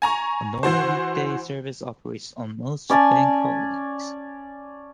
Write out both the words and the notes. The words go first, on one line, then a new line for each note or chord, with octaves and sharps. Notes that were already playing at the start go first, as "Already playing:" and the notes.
A normal weekday service operates on most bank holidays.
G#5 A#5 C#6
E3 F#4 C5
C#4 D5 G#5 A5